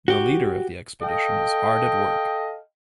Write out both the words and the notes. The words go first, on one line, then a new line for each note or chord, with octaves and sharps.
The leader of the expedition is hard at work.
F#4 G4
A4 D#5 F5 G5